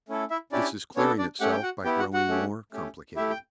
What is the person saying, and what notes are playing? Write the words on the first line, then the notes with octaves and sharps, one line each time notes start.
"This is clearing itself by growing more complicated."
A3 C#4 E4 A4
E4 E5
C#4 D4 E4 G4 D5
B3 C#4 D4 A4 C#5
D4 D5
A3 C#4 G4 F#5
G5
F#4 F#5
B3 E4 G4 G5
F#4 F#5
F#4 F#5
A3 C#4 G4
A3 C#4 G4
A3 E4 G4 E5
G5